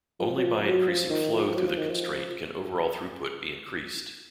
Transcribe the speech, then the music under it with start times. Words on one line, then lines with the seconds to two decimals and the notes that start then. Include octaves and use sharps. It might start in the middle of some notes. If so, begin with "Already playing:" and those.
Only by increasing flow through the constraint can overall throughput be increased.
0.20 F3
0.37 F#3
0.43 F3
0.66 F#3
0.88 F3
1.10 D#3
1.32 F3
1.55 F#3
1.67 F3
1.78 D#3
1.90 F3